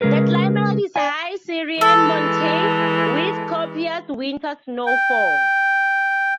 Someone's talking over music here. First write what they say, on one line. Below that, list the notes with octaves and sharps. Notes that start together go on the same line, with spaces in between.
The climate is high Sierran montane with copious winter snowfall.
C#3 G#3 G#4 A#4 B4
D5 G#5
E3 G#3 A4
G5